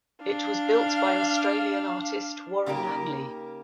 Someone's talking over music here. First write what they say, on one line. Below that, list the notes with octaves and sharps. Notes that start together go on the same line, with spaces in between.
It was built by Australian artist Warren Langley.
D4 F5
C#3 A#3 D#4 G4 A#4